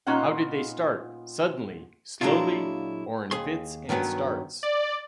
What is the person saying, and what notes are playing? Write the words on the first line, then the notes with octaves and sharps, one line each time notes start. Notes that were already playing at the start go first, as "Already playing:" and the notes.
How did they start, suddenly, slowly or in fits and starts?
A#2 B3 C#4 D#4 F4 F#5
A#2 F#3 G#3 D4 E4 F4
D#2 G#4 C6
G2 D#3 F#3 B3 C#4
D5